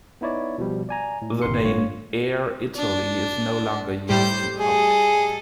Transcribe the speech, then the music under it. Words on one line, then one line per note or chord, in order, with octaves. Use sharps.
The name "Air Italy" is no longer used in public.
B3 D#4 E4 C#5 D5
B2 F3 G3
D5 G#5 A#5
A2
G1 C3 D#3 A#4 C6 C#7
G2 F4 C#5
D4
A2 G3 G4 C5 G6
G#4 A4 D#5